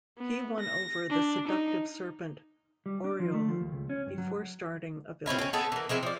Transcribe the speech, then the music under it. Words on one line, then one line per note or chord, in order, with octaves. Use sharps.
He won over the seductive serpent Oriol before starting a village.
B3
A#6
D4
D#4
G3
D4
F3
A3
F3
D#2
C#2
C#4
G2
F#3
C4 C#4 E4 F4
C4 C#4
B3 G#4 A4
E3 A#3
F3 G#3 C4 E4
F3 D5